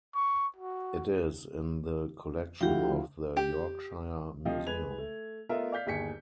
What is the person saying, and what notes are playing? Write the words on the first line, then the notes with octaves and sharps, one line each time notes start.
It is in the collection of the Yorkshire Museum.
C#6
F#4
D2 D3 F3 E4 F#4 G4 F5 G5
G4
C3 F3 D#5 F5 G5
G#3 B4 G#6 F7
A3
A3 B3 F4 A#4 D#5 E5
D5 F5 G6 B6
G1 D#2 G#4 B6 C#7